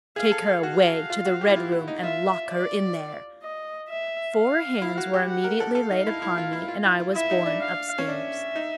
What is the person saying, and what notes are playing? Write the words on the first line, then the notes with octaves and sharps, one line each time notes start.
"Take her away to the red-room, and lock her in there." Four hands were immediately laid upon me, and I was borne upstairs.
G#4 F5
A4
F#4 F5
F4
F#4
G4
E4
F4
E4
D#4
F4 E5
D5
D#5
E5
F5
E4
F#4
G4
F#5
A#4
A4
A4 F5
D#4
E4
E4
F4
E4
F4
E4
F4
E4 E5
D#4
D4
F5
C#4
D4 E5
D#4